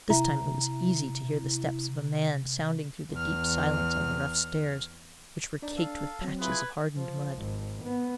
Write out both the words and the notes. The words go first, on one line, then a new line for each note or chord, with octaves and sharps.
This time it was easy to hear the steps of a man sounding through the deep silence on the rough stairs, which were caked with patches of hardened mud.
C3 E4 A#5
E2 F6
D4 D#4 D5
A4 F5
F#3 C4
E4 F4 G#4 B4
G#6
F3
G#1
B3